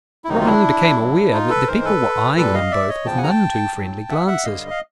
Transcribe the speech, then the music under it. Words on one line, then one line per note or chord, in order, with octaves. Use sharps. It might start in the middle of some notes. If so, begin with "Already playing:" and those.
Robin became aware that the people were eyeing them both with none too friendly glances.
E4
D2 C3 D#3 F#3 D#4
F4
D4 E4
A2 F#3
D#4 F4
A4 B4
G#2 E3 G#3 A#4 C5
A4 B4
A#2 G3 A4 B4
D#5 F5
D5 E5
C#5 D#5
E2 C#3 F3 G5 A5
F#5 G#5
A#5
G5 A5
A2 F#3
E5 F#5
E5 F#5
G2 D3 G3 D#5 F5
F5